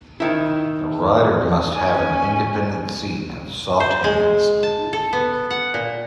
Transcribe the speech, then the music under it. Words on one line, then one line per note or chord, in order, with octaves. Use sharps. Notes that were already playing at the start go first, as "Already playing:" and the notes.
The rider must have an independent seat and soft hands.
D#3 E4
C#4 G#5
C5
G#3
A5
A4
B3
F#5
A#2